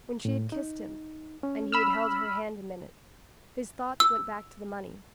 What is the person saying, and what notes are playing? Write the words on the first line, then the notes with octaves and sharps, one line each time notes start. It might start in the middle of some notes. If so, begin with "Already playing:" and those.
When she had kissed him, and he had held her hand a minute, his thoughts went back to the money.
A2
D#4
C#4
B5 E6 F6
E6